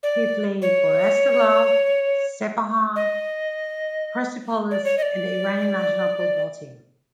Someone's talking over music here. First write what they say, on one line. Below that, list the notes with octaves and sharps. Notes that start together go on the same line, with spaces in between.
He played for Esteghlal, Sepahan, Persepolis and the Iranian national football team.
D5
C#5
D#5
D5
C#5
D#5
D5